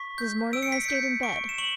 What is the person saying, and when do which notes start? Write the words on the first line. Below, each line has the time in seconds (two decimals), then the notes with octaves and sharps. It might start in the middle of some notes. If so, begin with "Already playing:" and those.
This morning I stayed in bed.
Already playing: C#6 B6
0.18 G6
0.53 E6 D7
0.62 C#7
0.72 B6
0.82 C#7
0.88 G6
1.23 C#6 D7
1.49 E7
1.58 C#6 F#7